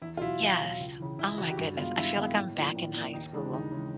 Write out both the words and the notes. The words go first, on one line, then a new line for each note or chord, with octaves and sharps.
Yes. Oh my goodness, I feel like I'm back in high school,
E2 E4
F4
B2 F#3 E4
E2
B2
F#3
C#2
C#3 E3
C#2 E4
C#3 E3 F#4
G4
G2 F#4
D#3 G#3 B3 F4
G2 E4
D#3 G#3 B3
A2
F3 A#3 D4
A2
F3 A#3 D4
D#2 D#4
C#3 E3 G#3 D4
D#2 D#4
C#3 E3 G#3